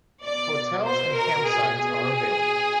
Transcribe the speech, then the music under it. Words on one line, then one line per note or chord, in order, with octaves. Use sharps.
Hotels and campsites are available.
B2 D5
C5
A#4
G#4
G#4